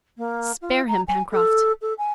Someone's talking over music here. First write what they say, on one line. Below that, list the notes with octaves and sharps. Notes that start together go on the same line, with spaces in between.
"Spare him, Pencroft."
A#3
F4
A#5
G#5
A4
A4
G#5